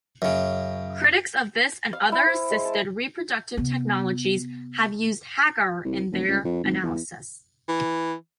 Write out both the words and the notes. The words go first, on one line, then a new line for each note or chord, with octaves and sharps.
Critics of this and other assisted reproductive technologies have used Hagar in their analysis.
F#2 C#3
F5
E4
C5
G#3
A5
C3 B3
C2
F1
C#2
F2
G#1
E2
E3